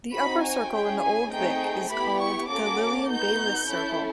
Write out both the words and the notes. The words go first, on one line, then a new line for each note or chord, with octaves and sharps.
The upper circle in the Old Vic is called the Lilian Baylis Circle.
C4 D#4 F#4 B5
G#5
C#4 E4 G#4 G5
G#5
A3 C4 D#4 G#4 G5
B3 E4 G4 B5
C#6
A#3 C#4 F#4 A4 D6
B3 D#4 F#4 G6
C#4 E4 A4